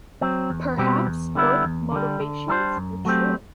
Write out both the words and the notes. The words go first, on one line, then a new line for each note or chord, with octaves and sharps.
Perhaps both motivations were true.
F#3 C4
E2
B2 G3 C4 G4
E2
D3 G3 B3 E4
E2
D3 G3
D3
G3 D4 A4 C5
F#2
F#3 A3 C4 G4